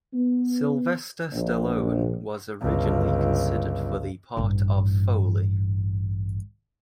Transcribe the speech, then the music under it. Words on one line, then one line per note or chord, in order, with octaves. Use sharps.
Sylvester Stallone was originally considered for the part of Foley.
B3
A#1
G1 C#2
A1 G2